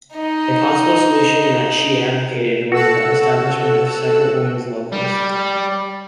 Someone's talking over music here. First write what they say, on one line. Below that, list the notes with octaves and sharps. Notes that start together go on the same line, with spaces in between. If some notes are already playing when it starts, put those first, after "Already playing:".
A possible solution that she advocated was the establishment of separate women's locals.
D#4 D#5
F#4 A4 E6 F#6
G3